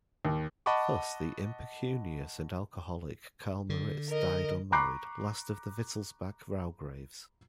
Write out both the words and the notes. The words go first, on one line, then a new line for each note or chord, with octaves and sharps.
Thus the impecunious and alcoholic Karl-Moritz died unmarried, last of the Wittelsbach raugraves.
D#2
D#5 F#5 A5 B5 C#6 D6
D3
A#4 D#5
A#5 B5 C#6 D6 F#6 C7